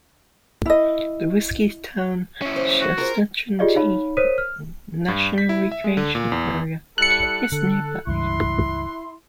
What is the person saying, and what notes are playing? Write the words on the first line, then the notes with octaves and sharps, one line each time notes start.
The Whiskeytown-Shasta-Trinity National Recreation Area is nearby.
E4 D#5
C#4 E4
C5
F#4
F4 G#4 A#4 C5
F4 G4 G#4 D5 D#5 F5
D#4 C#5 F5 B5
A#4 C5 C#5 D#6 B6 D#7
F6
G2
B6
E4
E5
G#3
D3
A#2
E2
G3 E4 A4 F#6 C#7
D3 A4
C#2 G2 E3 E4 C6